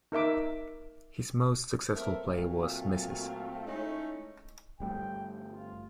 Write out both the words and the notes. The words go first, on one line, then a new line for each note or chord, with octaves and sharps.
His most successful play was Mrs.
D#4 A#4 E5 D6
A3 B3 C4 A#4 E5
A#2 F#3 A3 C4 F4
G#3 A3 C#4 D#4 E4 A4
G1 G3 A3 G5
F4